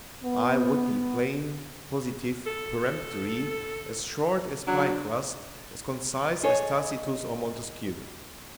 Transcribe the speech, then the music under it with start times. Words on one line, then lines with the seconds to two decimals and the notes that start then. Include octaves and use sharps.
I would be plain, positive, peremptory--as short as pie-crust--as concise as Tacitus or Montesquieu.
0.22 B3
2.46 A4
4.67 F#3 D4
6.43 G#4 A4 C#5 D#5